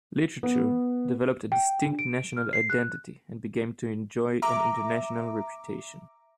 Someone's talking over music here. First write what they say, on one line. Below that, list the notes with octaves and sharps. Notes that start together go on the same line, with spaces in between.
Literature developed a distinct national identity and began to enjoy an international reputation.
B3
G5
D4
D7
F6
C7
F#6
E5 A#5 D6